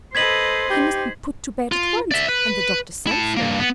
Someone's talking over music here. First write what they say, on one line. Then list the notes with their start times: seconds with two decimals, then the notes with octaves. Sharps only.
He must be put to bed at once, and the doctor sent for!
0.15 A4 B4 C5 D#5 G#6 B6 F#7
0.70 D#4 G4
1.72 F4
2.11 D5 E5
2.28 B4
3.07 E4 A5
3.37 G2 A#3
3.59 B3